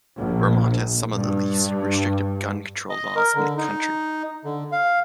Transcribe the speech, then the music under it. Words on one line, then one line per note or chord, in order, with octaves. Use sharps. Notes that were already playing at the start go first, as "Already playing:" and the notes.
Vermont has some of the least restrictive gun control laws in the country.
A#1
G2
D#5
A#4
D3
D#4
D3
F5